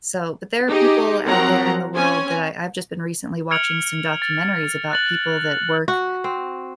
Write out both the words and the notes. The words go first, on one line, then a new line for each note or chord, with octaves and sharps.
so But there are people out there in the world that I I've just been recently watching some documentaries about people that work,
D#4 G4 G#4 D#5
F3 F#3 C4 A#4 F#5 A#5
C4 C#4 C#5 G#5
F6 G#6 C#7 D7 F7 F#7
A6
F#6 A6 F#7
F#4
C4